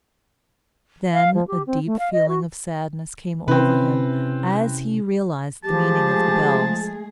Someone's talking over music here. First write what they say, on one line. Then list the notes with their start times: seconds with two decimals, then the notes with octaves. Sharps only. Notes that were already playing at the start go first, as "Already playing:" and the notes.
Then a deep feeling of sadness came over him as he realized the meaning of the bells.
1.13 F5
1.34 F3
1.47 G4
1.66 C4
1.86 A3
1.99 F5
2.12 D#5
2.28 F#4
3.48 C3 C4 C#4 E4 B4
5.64 F3 G#3 A3 G4 G#4 A5